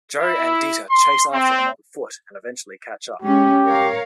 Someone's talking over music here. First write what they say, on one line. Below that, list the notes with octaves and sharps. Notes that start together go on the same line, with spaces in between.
Joe and Dita chase after him on foot and eventually catch up.
E4
C6
C4
G#3 C#4 G4
A#4 C#5 F5